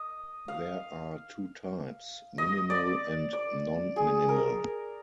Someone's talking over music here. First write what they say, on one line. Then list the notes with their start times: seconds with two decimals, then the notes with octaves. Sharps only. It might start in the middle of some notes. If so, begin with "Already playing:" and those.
There are two types: minimal and non-minimal.
Already playing: D#5
0.48 F5
2.38 D#5
2.70 D5
3.33 D5
3.96 G#4
4.29 A#4